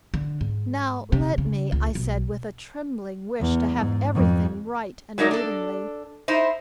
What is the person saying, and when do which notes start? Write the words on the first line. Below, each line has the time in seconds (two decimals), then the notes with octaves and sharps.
"Now let me," I said, with a trembling wish to have every thing right and maidenly.
0.14 D3
0.41 G#2
1.12 C3
1.38 C#3
1.72 C#2
1.95 B1
3.40 E2
3.76 G#2
4.14 F2
5.18 F#3 A3 D#4 A#4 D5
5.31 D4 A4
6.28 D#4 E4 C5